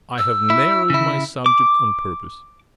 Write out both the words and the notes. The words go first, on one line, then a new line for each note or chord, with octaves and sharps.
I have narrowed my subject on purpose.
E6
E4
C#3 E4
D6